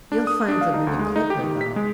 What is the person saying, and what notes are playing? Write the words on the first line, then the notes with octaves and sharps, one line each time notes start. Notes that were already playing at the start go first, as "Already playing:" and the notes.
You'll find them in the 'Clipper,' though.
D4
D#6
D4
F5
D#4
D2
G#3
D#4
G4
D#3
B6
G#3